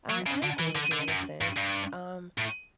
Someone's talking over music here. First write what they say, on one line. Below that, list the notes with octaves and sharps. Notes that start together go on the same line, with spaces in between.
I I agree with you in a sense, um,
F#3
C#3
D3
E3
D3
D3
F#2
G2
G2
A2